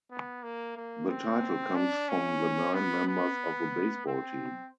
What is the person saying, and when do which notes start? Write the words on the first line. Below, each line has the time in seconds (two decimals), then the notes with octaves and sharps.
The title comes from the nine members of a baseball team.
0.11 B3
0.43 A#3
0.77 A#3
1.09 C4
1.75 D4
2.09 C#4
2.74 B3
3.07 B3
4.07 C4